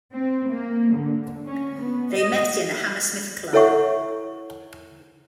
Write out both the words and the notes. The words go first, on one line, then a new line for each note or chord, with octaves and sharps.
They met in a Hammersmith club.
C4
A#3
D3
C#4
B3
D#5
E4 A4 C#5 E5 F#5 C#6